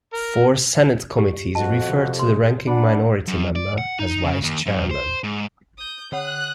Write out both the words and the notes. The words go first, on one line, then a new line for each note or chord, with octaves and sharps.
Four Senate committees refer to the ranking minority member as Vice Chairman.
A#4
G4
F2 F#4 D#5 A5
C3
G#4 C6
D4 F#5 B5
F#2
D5
F#5
D#4
C#3
D#2
F#2
C5
G#2
D#6 G6
D3 C#5 F#5 D#6 F#6